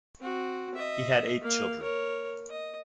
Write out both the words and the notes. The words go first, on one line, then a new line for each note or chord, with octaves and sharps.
He had eight children.
C4 F#4
D#5 E5
A#3 F5
A#4 C#5
D#5